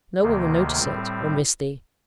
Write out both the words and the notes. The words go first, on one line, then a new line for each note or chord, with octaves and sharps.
No one will notice it, or miss thee--.
D2 C3 D#3 A#3
A2 G3 C4